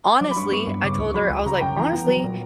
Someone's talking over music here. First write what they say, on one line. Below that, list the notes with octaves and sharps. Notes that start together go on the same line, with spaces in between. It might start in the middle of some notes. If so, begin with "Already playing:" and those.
honestly, I told her, I was like, "Honestly,
F#3 D6
B5
G2 C#6
B3 C#6
G2
C#3 D6
C#2 C#6
F#3 B5
C#2
C#3 A#5
F#2 G5
E3 A#5
B3
F#3
A#2